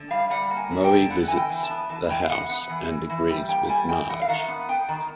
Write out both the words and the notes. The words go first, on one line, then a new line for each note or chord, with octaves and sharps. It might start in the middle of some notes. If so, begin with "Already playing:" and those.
Moe visits the house and agrees with Marge.
Already playing: D3
G3 F5
G3 F#5
A#3
G#5
D3
G5
D3
B3 F#5
E3 G#5
G5
E3
A5
B3
E3 A5
E3 G5
F5
B3 F#5
B3 F#5
E3
E3
E3
G3
A#3 G5
G3 G#5
G3 G5
E3 F#5
F5
D#3 F#5
B3
B3 G5
D#3